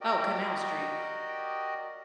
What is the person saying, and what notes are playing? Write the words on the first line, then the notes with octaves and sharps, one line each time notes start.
Oh, Canal Street.
F#4 G4 A#4 D5 D#5 G5